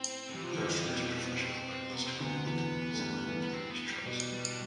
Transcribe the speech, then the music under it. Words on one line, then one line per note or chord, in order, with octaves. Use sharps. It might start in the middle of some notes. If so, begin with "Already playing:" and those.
Her first professional work was touring with the New Zealand Players Trust.
Already playing: A2 C4
D3
E3 G3
C3 F3
D3 E3
F2 F3
E3
B2 G3
A3
A3
B3
B3
C4
C3 B3
C4
D2 D3 B3
E2 E3 B3
A3
G2 G3
E2 E3
B3
C4
B3
G3
B2 G3
G3
D4